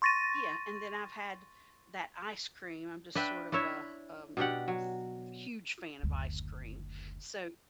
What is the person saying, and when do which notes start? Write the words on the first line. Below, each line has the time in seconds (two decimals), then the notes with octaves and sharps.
Yeah, and then I've had that ice cream, I'm just sort of a, um, s huge fan of ice cream, so
0.02 C6 C#6 A6 A#6 D#7
3.15 D4 B4 E5 G5
3.52 D4 E4 C#5 E5
4.37 B2 D4 G4 F#5
4.68 F#3
6.03 F#1 D2